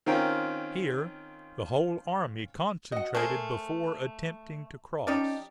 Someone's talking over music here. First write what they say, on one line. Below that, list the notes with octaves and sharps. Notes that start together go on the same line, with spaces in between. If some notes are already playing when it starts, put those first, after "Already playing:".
Here the whole army concentrated before attempting to cross.
D#3 C4 C#4 F4 A#4 G5
F#4 D#5 F#5
A3 G#4 A#4 C5
F3 C#4 D#4 G4 D5